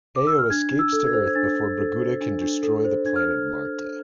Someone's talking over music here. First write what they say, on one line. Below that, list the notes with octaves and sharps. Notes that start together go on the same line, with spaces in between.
Aio escapes to Earth before Braguda can destroy the planet Marte.
D6
E6
F6
D4 G#6
D4
E6
A4
G#6
C5
G#6
D4 A6
D4
A4
C5
D4
D4
A4
C5
D4 G#6
F6